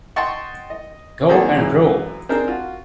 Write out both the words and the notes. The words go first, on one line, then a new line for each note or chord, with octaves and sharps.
Go and rule!
D#5 F#5 G5 A5 C6 C#6
D#5
D#3 A#3 C4 G#4 A4 D5
F#2 E3 G#3
C4 D4 D#4 G#4 A#4 C5
F4 F#4